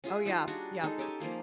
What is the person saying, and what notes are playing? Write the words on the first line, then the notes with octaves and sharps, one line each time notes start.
Oh yeah, yep.
C#4 F4 G#4 E5
G3 D#4 F4
G3 D4 F#4 G#4
G#3 D#4 G#4 A4
C#4 G4 A4 G#5
F3 G3 A#3 F4